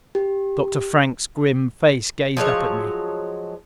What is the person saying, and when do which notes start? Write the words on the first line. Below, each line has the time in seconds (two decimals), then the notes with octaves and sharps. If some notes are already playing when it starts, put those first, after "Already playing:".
Dr. Frank's grim face gazed up at me.
0.15 G4
2.37 F3 F#3 G#3 C#5